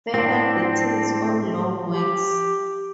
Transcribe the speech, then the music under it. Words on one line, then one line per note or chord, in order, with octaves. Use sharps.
Further details on long works.
A2 C4 D4 G4 F#5
G4